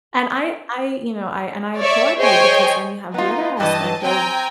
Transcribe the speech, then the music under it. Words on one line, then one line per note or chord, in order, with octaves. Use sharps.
and I I you know, I and I applaud you, because then you have the other aspect of,
C#5 D5 E5
G#4 C5 C#5 D#5 G5 G#5
B3 D#4 F4
G2 E3 D#5 A5
C4 G5 G#5 A#5